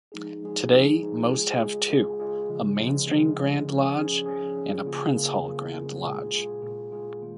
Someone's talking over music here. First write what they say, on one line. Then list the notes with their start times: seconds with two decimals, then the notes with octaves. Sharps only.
Today, most have two: a "mainstream" Grand Lodge and a Prince Hall Grand Lodge.
0.12 F3 G#3 D#4 G#4
0.42 F3 G#3 D#4 G#4
0.71 F3 G#3 D#4 G#4
1.02 F3 G#3 D#4 G#4
1.30 G#3 F4 G#4
1.60 G#3 F4 G#4
1.90 G#3 F4 G#4
2.20 G#3 F4 G#4
2.49 C#3 F3 G#3
2.78 C#3 F3 G#3
3.07 C#3 F3 G#3
3.37 C#3 F3 G#3
3.67 F3 C#4 G#4
3.96 F3 C#4 G#4
4.26 F3 C#4 G#4
4.56 F3 C#4 G#4
4.85 C#3 A#3 F4 G#4
5.15 C#3 A#3 F4 G#4
5.44 C#3 A#3 F4 G#4
5.73 C#3 A#3 F4 G#4
6.03 A#2 G#3 F4 G#4
6.33 A#2 G#3 F4 G#4
6.62 A#2 G#3 F4 G#4
6.92 A#2 G#3 F4 G#4
7.21 D#3 A#3 F4